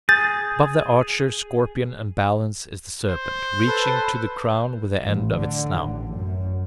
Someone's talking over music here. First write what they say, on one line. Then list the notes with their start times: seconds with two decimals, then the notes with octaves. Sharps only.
Above the Archer, Scorpion, and Balance, is the Serpent, reaching to the Crown with the end of its snout.
0.09 G#4 G6 A6
3.09 C5
3.67 A4 B4
5.03 A1
5.35 D3
5.82 A1
6.15 F#2